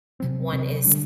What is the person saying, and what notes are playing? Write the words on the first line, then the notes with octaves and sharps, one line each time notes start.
one is
C3 F#3 C4
C3 F#3 C4
D3 G3 D4